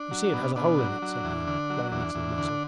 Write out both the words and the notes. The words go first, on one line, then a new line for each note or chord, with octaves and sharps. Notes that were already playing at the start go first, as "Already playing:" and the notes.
You see it has a hole in it,' said he, blowing into the muzzle.
Already playing: D4
F#3
B2
B2 D4
F#3
F#3
E2
D3
F#3
E2 D4
E2
D3